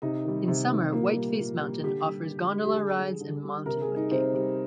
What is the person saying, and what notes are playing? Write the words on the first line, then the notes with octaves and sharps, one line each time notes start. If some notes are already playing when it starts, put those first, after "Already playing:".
In summer, Whiteface Mountain offers gondola rides and mountain biking.
C3 D#4
D#3 G3
C3
D#3 G3
A#2 A#3
G3
A#2
G3
D3 G4
G3
D3
G3
G4
D3 G#4
G3
D3
G3
C3 A#4
G#4
G3
D#4
C3 C4
G3